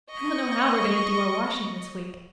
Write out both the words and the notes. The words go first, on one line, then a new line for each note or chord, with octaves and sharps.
I don't know how we are going to do our washing this week.
D#5 C#6